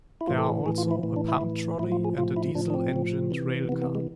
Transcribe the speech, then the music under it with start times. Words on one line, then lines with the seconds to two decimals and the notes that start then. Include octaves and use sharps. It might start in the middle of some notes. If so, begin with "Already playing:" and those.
There are also a pump trolley and a diesel-engined railcar.
0.21 E4
0.27 A2 E3 F4
0.38 A4
0.47 G#4
0.66 A2 E3 G#4
0.78 F4
0.91 E4
1.03 A2 E3
1.16 D4
1.28 E4
1.41 A2 E3
1.79 A2 E4
1.83 F3
1.92 F4
2.04 G#4
2.18 A2 F3 F4
2.36 E4
2.55 A2 F3 D4
2.70 D4
2.74 C4
2.93 A2 F3
3.31 C3 E3
3.69 C3 E3 B3
3.82 B3
3.95 G#3